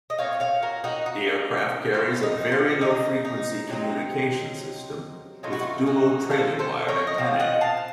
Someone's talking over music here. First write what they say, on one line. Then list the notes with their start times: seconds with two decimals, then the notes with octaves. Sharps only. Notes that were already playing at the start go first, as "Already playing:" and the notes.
The aircraft carries a very low frequency communication system with dual trailing wire antennae.
0.10 D#5
0.18 A#2 A3 C4 C#5 F5
0.40 C#5 F5
0.62 F#4 A#4
0.84 D#4 F#4
1.06 D#4
1.93 A2 F#3 A3 C4 F4
2.16 F4
2.23 D#4
2.52 F4
2.81 D#4
3.25 D#4
3.68 C3 F#3 C4 D#4
5.43 A2 F#3 A3 D#4 F4
5.53 F#4
5.63 F4
5.86 D#4 F#4
6.30 F4 A4
6.59 A4 C5
6.88 A#4 C#5
7.07 D#5
7.18 A#2 F3 C4 F5
7.39 D#5 F#5
7.61 F5 A5